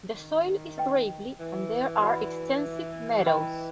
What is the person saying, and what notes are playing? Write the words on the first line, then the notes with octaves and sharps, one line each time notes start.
The soil is gravelly and there are extensive meadows.
D#3
B4 D#5 G5
E3
F#4 B4 D5 F#5 B5
B4 D#5 G5 B5